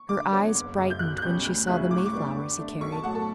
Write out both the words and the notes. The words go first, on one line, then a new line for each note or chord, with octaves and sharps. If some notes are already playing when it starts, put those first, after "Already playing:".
Her eyes brightened when she saw the mayflowers he carried.
Already playing: C#6
D3 D6
F#3 B3 F#4 C#5
F#1
F#2 C#3
G6
B1 F#6
F#6
B2 G3 C#4 G6
D2 F#6
C#3 F#3 C#4 E4 F#6
A2 D6
C#6
D6
G3 B3 D4
D3
A3 D4
B1 C#6
A5
A2 F#3 F#5
A4